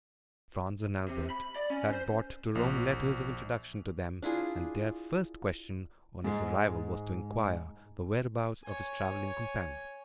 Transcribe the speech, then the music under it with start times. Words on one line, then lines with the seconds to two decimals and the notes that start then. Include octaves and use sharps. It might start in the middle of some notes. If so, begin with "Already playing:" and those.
Franz and Albert had brought to Rome letters of introduction to them, and their first question on his arrival was to inquire the whereabouts of his travelling companion.
1.08 C3
1.30 B5
1.56 D5
1.70 C#4
1.93 C5
2.55 A#1
4.22 D4 E4 F4 G#4
6.24 G#2 G#3
8.65 C#5 G#5